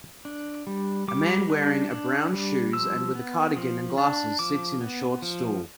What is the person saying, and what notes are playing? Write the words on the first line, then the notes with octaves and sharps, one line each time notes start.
A man wearing a brown shoes and with a cardigan and glasses sits in a short stool.
D4
G3
G3 D6
D4
D4
G3
F3 E6
B3
F3
D4
F3 D6
B3
F3